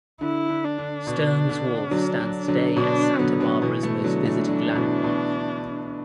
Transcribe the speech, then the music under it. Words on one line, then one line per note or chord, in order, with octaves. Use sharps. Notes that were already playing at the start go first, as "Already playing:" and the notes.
Stearns Wharf stands today as Santa Barbara's most visited landmark.
D3 E4
D3
D4
D3
B2
D3
D3
D3
D3 F#3
D3 F#3
D3 F#3
B2 D4
D3 F#3 B3
D3 F#3
B2 E3
E3 A3
D3 F#3 D4
E3 A3
D3 F#3
B2 E3
B2